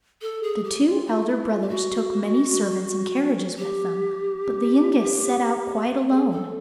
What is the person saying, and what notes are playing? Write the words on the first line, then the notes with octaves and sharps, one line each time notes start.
The two elder brothers took many servants and carriages with them, but the youngest set out quite alone.
A4
G#4
G4
F4
F4
E4
F4
G4
F#4
G4
G#4
A4